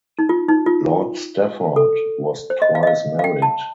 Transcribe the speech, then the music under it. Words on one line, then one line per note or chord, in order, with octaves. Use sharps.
Lord Stafford was twice married.
D#4
F4
D#4
F4
A4
C5
D#5
F5
D#5
F5
F5
G5
A5